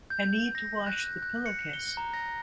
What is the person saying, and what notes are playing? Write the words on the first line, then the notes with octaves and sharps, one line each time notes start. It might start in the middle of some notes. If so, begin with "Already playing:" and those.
I need to wash the pillow case.
G6
G6
A#6
F#6
F#6
C#7
G7
A#5
A#6